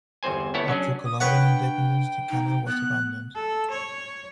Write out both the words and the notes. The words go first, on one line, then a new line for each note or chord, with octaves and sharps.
After Colombian independence, the canal was abandoned.
G1 E2 C4 C5 G#5
A3 B3 E4 A4 C#5
F#3 C#4 D4 G#4
D#6
D4 B4 C#5 F#5 G5
D#4
B3 F#6
A4
C#5